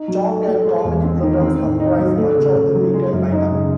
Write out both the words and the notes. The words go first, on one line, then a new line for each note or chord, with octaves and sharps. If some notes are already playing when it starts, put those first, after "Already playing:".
Talk and comedy programs comprise much of the weekend line-up.
Already playing: D#4
F#3
A4
A3
G#3
E2
C4
D#3
C4
A2
D#4
F#3
A3
C#3
C#3
F#3
G#3
F#2
D#4
C#3